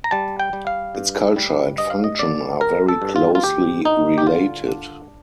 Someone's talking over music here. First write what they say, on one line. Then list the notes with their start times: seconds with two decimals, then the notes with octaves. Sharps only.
Its culture and function are very closely related.
0.04 A#5
0.11 G3 A5
0.39 G5
0.53 G3
0.67 F5
0.95 G2
1.36 G3
1.77 G2 D#5
1.90 F5
2.04 D#5
2.19 D3 D5
2.61 G3 A#4
2.89 A4
3.02 G2
3.16 F4
3.35 F4
3.43 D2 G4
3.85 D3 D#4
4.18 G4
4.26 D3 F4
4.68 D4